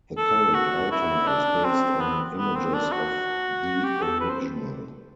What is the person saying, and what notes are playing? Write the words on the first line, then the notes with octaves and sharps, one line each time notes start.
The current altar is based on images of the original.
A4
F#4
E4
D4
C4
B3
B3
C4
D4
F#4
G4
A4
B4
C5